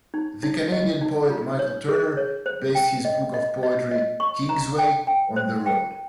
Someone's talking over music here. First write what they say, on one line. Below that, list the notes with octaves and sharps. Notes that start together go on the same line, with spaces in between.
The Canadian poet Michael Turner based his book of poetry, "Kingsway", on the road.
D#4
D#4
D#5
D#4
F4
C#5
G#4
C#5
C5
G5
D#5
D#5
D#5
D#5
C#6
A#5
G5
G5
C5
G5